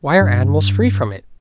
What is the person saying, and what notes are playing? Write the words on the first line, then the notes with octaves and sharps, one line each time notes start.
Why are animals free from it?
G2